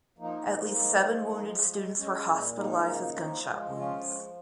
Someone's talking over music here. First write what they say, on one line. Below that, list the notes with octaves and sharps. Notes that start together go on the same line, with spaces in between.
At least seven wounded students were hospitalized with gunshot wounds.
F3 A#3 D#4
G#3
F3
G#3
F3
G#3
G#3 C#4
A#2
G#3 A#3 D#4
C#3
F3
G#3
F3 C#4 F4
G#3